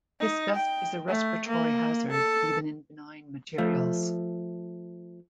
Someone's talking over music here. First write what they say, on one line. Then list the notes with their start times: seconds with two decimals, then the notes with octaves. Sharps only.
This dust is a respiratory hazard, even in benign materials.
0.20 D#4
0.56 G5
1.08 A3
1.48 A#3
2.11 A4
3.58 F3 A3